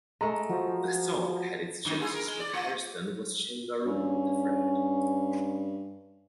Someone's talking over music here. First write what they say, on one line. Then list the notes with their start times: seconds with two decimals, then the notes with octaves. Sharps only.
The song had its genesis when Hairston was sharing a room with a friend.
0.21 G#3 A3 A#5
0.49 F3 F#4
1.85 F#2 D#3 D#4
2.00 E4 F4 G#4
2.14 A#4
2.27 G#3
2.40 D5
2.53 A3 F4
3.86 G2 C#4